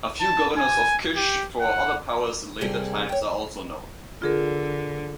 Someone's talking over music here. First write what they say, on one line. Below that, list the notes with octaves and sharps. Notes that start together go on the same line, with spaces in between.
A few governors of Kish for other powers in later times are also known.
A5
G#5
G4
F#5
C3 G3 A#3 G#4 A4
C#5 G5
D3 F4 G#4 A#4